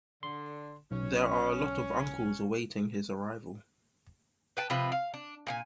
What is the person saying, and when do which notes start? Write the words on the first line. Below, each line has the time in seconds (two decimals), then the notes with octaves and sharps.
There are a lot of uncles awaiting his arrival.
0.23 D3 C6
0.91 B1 C#4
4.57 B4 G5 A5
4.70 C3 F3 B4
4.92 F5
5.14 D4
5.47 A#2 G4 G#5